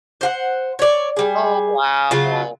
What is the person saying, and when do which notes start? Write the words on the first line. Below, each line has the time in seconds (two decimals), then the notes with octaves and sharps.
Oh wow! Oh,
0.21 C5 F5 F#5
0.79 C#5 D5
1.17 G3 G#4
2.11 C#3 F#3 F4